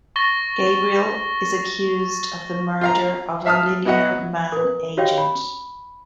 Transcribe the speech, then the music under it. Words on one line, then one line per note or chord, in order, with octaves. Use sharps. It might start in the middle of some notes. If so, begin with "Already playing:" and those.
Gabriel is accused of the murder of a Linear Man agent.
C#6 A6 A#6 G7
F4 F5 A#5
E5 F5 A5 D#6 F6
B3 E4 F#4 D#5 F#5
A#4 B4
F#4 G4 C#5 D#5 F5 G5
B5